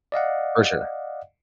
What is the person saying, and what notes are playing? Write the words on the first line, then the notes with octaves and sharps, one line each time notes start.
For sure.
D5 D#5 F5 F#5